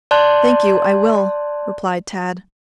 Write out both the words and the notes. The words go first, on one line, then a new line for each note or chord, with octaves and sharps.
"Thank you, I will," replied Tad.
D5 A5 C6 F#6 G6